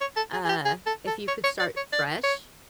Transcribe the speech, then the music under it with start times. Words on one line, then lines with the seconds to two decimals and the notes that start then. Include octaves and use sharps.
uh, if you could start fresh?
0.01 C#5
0.17 A4
0.33 G#4
0.45 G#4
0.49 G4
0.65 G#4
0.86 A4
1.07 A4
1.28 C#5
1.44 C#5
1.60 D5
1.77 C#5
1.93 D5
2.24 C#5